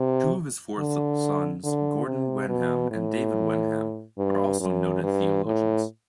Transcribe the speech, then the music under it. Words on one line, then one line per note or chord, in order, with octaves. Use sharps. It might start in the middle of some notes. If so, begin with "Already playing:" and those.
Two of his four sons Gordon Wenham and David Wenham are also noted theologians.
Already playing: C3
D3
D3
C3
B2
A2
G2
F#2
G2
A2